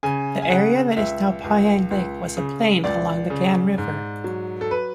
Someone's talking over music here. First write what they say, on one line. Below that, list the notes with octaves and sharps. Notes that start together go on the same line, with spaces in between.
The area that is now Poyang Lake was a plain along the Gan River.
C#3 G#5
G#5
C#3 F#5
C#2 E5
C#2
C#2
C#3
C#2 D5
C#3
G#2
F#3
A4
B4